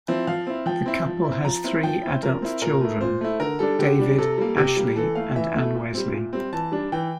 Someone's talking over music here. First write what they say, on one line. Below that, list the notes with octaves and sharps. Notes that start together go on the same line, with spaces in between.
The couple has three adult children: David, Ashleigh, and Anne-Wesley.
F3 C4 E4
F3 F5
C4 E4
F3 G5
C4 E4
F3
C4 E4
F3 A#5
C4 E4
F3 G5
C4 E4
F3 A#4
C4 E4
A#2 A#4
A3 E4
A#2 C5
A3 E4
D3 A#4
G3 D4 A4
D3 G4
G3 D4
C3 A4
G3 A#3
C3 G4
G3 A#3
E3 A4
A3 E4 F5
E3 E5
A3 E4
A#2
G3 C4
A#2
G3 C4
E3 A5
G3 D4
E3 G5